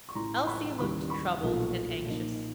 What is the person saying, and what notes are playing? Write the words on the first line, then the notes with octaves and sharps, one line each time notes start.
Elsie looked troubled and anxious.
C#6
A1 A2 E3 A#5 C6
C6
B5 C#6
D#2 C#3 E3 G3 B5 C#6
B5 C#6
B1 A#2 F3 A3
A#2 F3 A#3 D#4